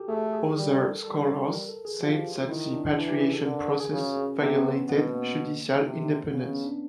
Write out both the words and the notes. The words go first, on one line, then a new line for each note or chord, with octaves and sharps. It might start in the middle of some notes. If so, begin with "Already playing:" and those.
Other scholars said that the patriation process violated judicial independence.
Already playing: F#4 G4 A4
A3 G#4
G#4
G3 A#4
A4
G3 A4
A4
A#4
A4
G#4
F3 G4
F#4
F4
D#3 E4
D4
E3 D4
G4
G#4
A4
D3 A#4
G#4
G#4
C#3 F#4
C#4
C3 B3
B3
C#4
B2 B3
A#3
C3
C#3 B3
C#4
D4